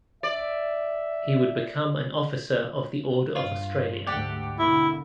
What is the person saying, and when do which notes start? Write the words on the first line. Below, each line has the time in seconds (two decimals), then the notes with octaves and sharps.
He would become an Officer of the Order of Australia.
0.23 D5 E5
3.36 G2 F4
4.07 D2 G#2 A3 G4 D5 F#5
4.59 B2 D3 A#3 E4